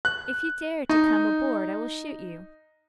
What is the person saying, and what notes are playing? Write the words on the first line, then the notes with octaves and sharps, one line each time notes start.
If you dare to come aboard I will shoot you.
F#6
D#4